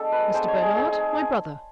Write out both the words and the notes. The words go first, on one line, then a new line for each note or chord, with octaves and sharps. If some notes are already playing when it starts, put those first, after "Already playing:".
Mr. Bernard--my brother.
Already playing: G#3 B3 D4 A4
B4
G#3 B3 D4 C5
C#5
G#4
A3 C4 D#4 G#4